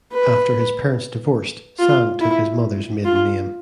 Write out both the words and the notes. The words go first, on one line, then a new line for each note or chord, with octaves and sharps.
After his parents divorced, Sand took his mother's maiden name.
B4
F4
E4
F4